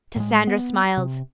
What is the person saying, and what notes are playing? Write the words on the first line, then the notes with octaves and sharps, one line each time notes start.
Cassandra smiled.
A2 G#3
B3
C3